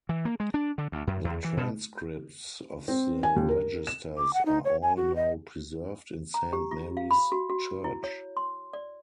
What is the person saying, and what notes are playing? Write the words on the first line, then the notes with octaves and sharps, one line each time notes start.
The transcripts of the registers are all now preserved in Saint Mary's church.
E3
A#3
G#3
D4
D3
D2
F#2
E2
E3
B2
C4
G#5
D#2
A#4
E7
D6
F#5
D#4
C#5
G#5
F#4
D#5
A#5
G4
F4
F5
B5
F#4
F#4
E4
C#5
C6
D5